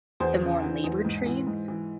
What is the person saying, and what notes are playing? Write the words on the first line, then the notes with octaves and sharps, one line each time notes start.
the more labor trades,
E2 C5
C#3
E3
E2
G#2
E3
G#2
E3